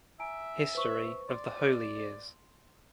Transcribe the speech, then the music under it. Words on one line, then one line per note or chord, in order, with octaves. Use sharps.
History of the Holy Years.
E5 G#5 A#5 D7
B4 C5 C#6
D5 C6